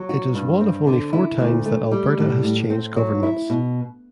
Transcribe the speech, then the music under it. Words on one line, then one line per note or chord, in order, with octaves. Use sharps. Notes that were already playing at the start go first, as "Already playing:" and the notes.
It was one of only four times that Alberta has changed governments.
Already playing: F#3
F#4
G2
C4
D3
E4
D2
A3
G3
A2
A2
C4
F#3
E4
B2